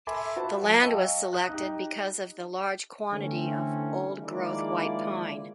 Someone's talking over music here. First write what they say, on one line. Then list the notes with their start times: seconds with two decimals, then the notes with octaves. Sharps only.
The land was selected because of the large quantity of old growth white pine.
0.07 A4 E5 G#5 B5 C6 D6
0.36 F4 F#4 C5 A5 B5
0.63 F#3
0.82 D#5 F5 G5 A5 C#6 E6
1.33 D#6 F#6
1.49 D#4 G4
3.12 D3 E3 A3 C4 C#4
4.20 D#3 F3 G#3 A#3 E4 D5